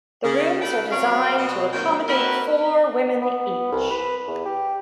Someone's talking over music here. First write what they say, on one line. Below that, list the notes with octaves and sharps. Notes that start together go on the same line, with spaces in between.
The rooms are designed to accommodate four women each.
C#3
A4 B4 G5
F#3 C4 C#5 D5 F5
B2
C3 D#3 F#3 A#3 G5
A#3 C4 D#4 F#4 A#4 B4
B3
C2
B4
E2
G4